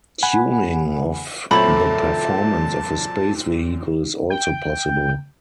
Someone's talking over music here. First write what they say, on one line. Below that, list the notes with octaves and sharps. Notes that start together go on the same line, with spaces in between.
Tuning of the performance of a space vehicle is also possible.
F#5 G#5 B5
F#2 A#2 A3 C4 C#5 E5 A5 B5
G5